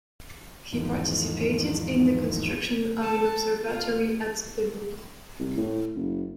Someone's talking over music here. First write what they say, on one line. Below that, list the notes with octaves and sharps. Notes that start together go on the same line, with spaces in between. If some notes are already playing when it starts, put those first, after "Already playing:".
He participated in the construction of an observatory at the Louvre.
E2 G#2 D#3 F3
A4 A5
F4
C2
A2
F#1